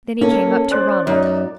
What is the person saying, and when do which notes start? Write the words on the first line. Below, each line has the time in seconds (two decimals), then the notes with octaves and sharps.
Then he came up to Ronald.
0.21 A#3 C#4 A4
0.71 C5 D5 F#6
1.07 F#2 D#4